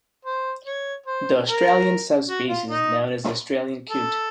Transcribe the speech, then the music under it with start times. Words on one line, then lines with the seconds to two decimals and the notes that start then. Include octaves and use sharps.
The Australian subspecies is known as the Australian coot.
0.25 C5
0.66 C#5
1.06 C5
1.47 A#4
2.28 F#4
2.48 F4
2.68 D#4
3.90 A4